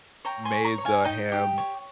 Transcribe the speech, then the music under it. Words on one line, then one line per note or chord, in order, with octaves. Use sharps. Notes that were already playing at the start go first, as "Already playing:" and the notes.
made the ham
C#5 G5 A#5
G#5 C6
C#5
A#5 C#6
C#5
F5 G#5
D#4 D#5 G5
G4
C#5